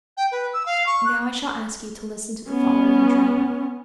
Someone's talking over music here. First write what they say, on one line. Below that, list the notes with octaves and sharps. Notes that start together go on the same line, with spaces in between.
And now I shall ask you to listen to the following dream.
G5
B4
E6
F5
C#6
F#6
B3 C#4